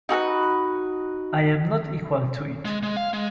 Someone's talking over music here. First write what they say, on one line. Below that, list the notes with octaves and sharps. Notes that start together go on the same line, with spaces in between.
I am not equal to it.
D#4 F#4 A4 B4
G#3
G#3
F5
G#3